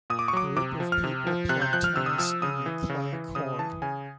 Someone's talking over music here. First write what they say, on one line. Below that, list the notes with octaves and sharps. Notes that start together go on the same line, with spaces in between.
Group of people play tennis in a clay court.
A#2 D#6
D6
C#6
F#3 D6
C3 D6
F3
F6
C3
F3
C3 F#6
G6
F3 F#6
F6
C3 E6
D#6
F3 E6
C#3 D#6
E3
C#3
E3
C#3 D#6
E3 A5
C#3 G#5